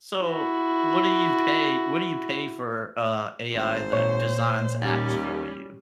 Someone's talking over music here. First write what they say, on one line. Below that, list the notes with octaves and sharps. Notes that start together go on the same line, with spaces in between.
So, what do you pay what do you pay for, uh, AI that designs apps for you?
E4 F#4
G#1 C5
A#2 C#5
D#2 G3 C#4